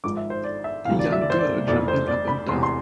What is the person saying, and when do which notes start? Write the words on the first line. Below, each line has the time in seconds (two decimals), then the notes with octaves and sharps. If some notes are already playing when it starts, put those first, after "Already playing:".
A young girl jumping up and down.
0.04 G#1 G#2 F3 D6
0.17 E5
0.30 C5
0.44 D5
0.64 E5
0.85 D2 C3 E3 F5
0.99 D5
1.12 E5
1.21 D5
1.30 C5
1.39 D5
1.67 F1 F2 E3 D5
1.88 C5
2.08 D5
2.28 B5
2.48 E1 E2 C3 C6
2.63 C6